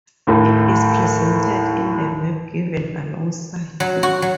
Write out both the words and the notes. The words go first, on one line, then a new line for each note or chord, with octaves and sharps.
It is presented in the map given alongside.
D#2 A2
F#3
F#4
F#3